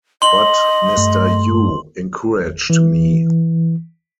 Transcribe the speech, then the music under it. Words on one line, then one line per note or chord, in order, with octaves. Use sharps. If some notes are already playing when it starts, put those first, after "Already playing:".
But Mr. Yu encouraged me.
D#5 C6 F#7
G2 A3
E3